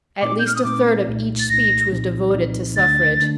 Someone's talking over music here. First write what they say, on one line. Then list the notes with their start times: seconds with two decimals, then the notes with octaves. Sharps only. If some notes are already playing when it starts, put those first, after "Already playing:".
At least a third of each speech was devoted to suffrage.
0.21 A#2 A3 C4 D#4 D6
0.39 G6
0.47 F6
0.56 D#6
0.64 A#2 A3 C4 D#4 D6
1.07 C2 A#2 A3 D#4
1.40 A6
1.49 C2 A#2 A3 D#4 A#6
1.92 C2 A#2 F3 C4 D#4
2.34 C2 A#2 F3 C4 D#4
2.76 D2 D3 A3 D4 A6
3.20 D3 A3 D4